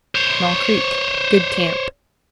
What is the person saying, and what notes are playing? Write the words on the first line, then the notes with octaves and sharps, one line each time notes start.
Small Creek.--Good camp.
C5 C#5